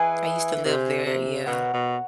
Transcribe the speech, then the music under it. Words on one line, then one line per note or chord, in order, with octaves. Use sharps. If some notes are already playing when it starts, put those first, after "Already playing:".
I used to live there, yeah.
Already playing: E3 G#4 B4 D#5 G#5
C3 F4 G#4 C5
C3
B2 F#4 A#4 C#5 F#5
B2